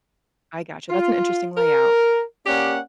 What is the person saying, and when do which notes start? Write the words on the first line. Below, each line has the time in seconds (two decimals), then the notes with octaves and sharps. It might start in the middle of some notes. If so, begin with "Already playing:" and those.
I gotcha. That's an interesting layout.
0.90 F4
1.57 A#4
2.47 A#3 C#4 G4 D5 F#5